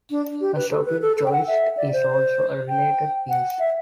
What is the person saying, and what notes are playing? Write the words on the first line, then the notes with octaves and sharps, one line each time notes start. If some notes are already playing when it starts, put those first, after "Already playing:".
A soffit joist is also a related piece.
D4
G4
B4
A4
B4
A4
A4
G5
F#5
E5
D5
C5
G5
F#5
E5